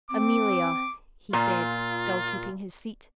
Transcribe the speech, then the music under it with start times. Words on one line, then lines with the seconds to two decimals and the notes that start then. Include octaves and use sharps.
"Amelia," he said, still keeping his seat.
0.11 C4 D6
1.33 A#2 F4